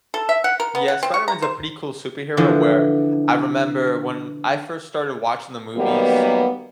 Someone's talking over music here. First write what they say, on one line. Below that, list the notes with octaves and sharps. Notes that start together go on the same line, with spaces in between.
Yeah, Spider-Man's a pretty cool superhero, where I remember when I first started watching the movies,
A4
E5
F#5
A#4
B3
F#5
C4
C#6
A#5
C5
D3 E3 F3
D#3 F#3 G3 A#3 B3